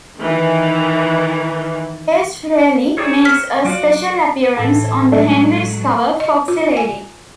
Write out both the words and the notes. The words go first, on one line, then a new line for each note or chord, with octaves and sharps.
Ace Frehley makes a special appearance on the Hendrix cover "Foxy Lady".
D#3 E3
D#3 C4 E4 G#4 C#5 D5
F6 B6
F#3 F4 F#4 D5
A2 E3 C#4 A4
F#3 G#3 A3
D#5
F4
G#5